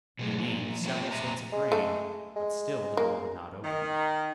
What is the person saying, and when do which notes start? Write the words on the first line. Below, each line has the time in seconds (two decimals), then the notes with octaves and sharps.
He named several sorts of grain, but still the door would not open.
0.19 B2 F#3 A3 G#4
0.41 F3 A#3
0.85 A#3 B3 D4 F4 G4 G5
1.11 F2 A#2 E5 A#5
1.52 G#3
1.72 A3 A4
2.36 G#3
2.97 A#3
3.62 D#3